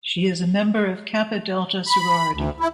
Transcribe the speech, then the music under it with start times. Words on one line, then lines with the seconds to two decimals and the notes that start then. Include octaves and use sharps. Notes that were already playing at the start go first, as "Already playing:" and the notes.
She is a member of Kappa Delta sorority.
1.87 B5
2.34 D2
2.60 E4